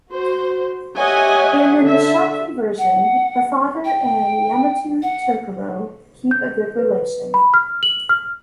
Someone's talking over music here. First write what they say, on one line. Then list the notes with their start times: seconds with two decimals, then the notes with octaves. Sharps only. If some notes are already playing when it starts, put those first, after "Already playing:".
In the "Nihonshoki" version, the father and Yamato Takeru keep a good relation.
0.11 F#4 C5
0.97 G4 C#5 D#5 E5 F#5 G#5
1.82 D3 E5
2.78 F#5
3.85 G5
5.03 F#5
6.31 G6
6.79 B4
7.34 B5
7.54 F6
7.83 F#7
8.09 F6